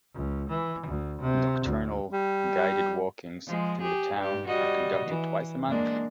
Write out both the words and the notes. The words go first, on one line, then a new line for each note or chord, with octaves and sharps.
Nocturnal guided walkings through the town are conducted twice a month.
C#2
E3
D2
C3
D2
G3
F3 G#3
G4 G#4
G2 G4
G3 F#4 D#5
E3
G#3 A#3 D4